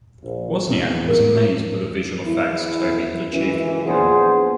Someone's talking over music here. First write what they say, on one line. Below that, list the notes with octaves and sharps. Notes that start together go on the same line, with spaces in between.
Wozniak was amazed by the visual effects Tobey had achieved with the game.
A#1
E2
A#4
E2 E4
C#2 F#2 E3
A#1 A#2 B3 G#4 C5